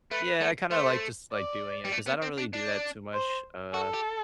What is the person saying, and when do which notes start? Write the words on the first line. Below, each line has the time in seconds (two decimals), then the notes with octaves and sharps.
Yeah, I kinda like just like doing it 'cause I don't really do that too much, uh,
0.11 A3 B4
0.41 A3
0.71 A3 C5
1.32 D5
1.85 G3
1.93 A3
2.07 B3
2.22 C4
2.38 D4
2.53 D4
3.13 C5
3.73 F#4 A4
3.94 G4